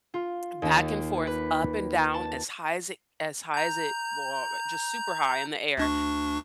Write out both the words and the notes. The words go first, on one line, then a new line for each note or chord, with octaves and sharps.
back and forth, up and down, as high as it as high as it well, but just super high in the air.
F4
D#2
B4
A5
A#5 G6
D2 D4 C#6